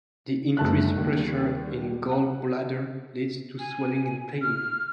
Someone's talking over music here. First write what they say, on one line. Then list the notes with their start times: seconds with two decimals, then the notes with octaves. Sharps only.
The increased pressure in the gallbladder leads to swelling and pain.
0.57 F#1 G#3 A3 A5 F#6
0.98 D#2 G3
2.12 F#5
3.59 G#5
4.41 F6